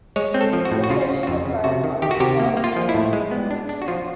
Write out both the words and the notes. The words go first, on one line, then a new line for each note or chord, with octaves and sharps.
The station is the home of the "Scott Shannon in the Morning" show.
G#3 C#5
C4
A4
F3
F#4
A2
F#4
C#3 F4
C#3
F#4
F2 F4
C#3
C3 F#4
D#3
D#3 G4
F#4
C3 G4
A#3
A#3
F4
F3
E4
A2
G#3
B3
D4
D4
F#4
F3 F4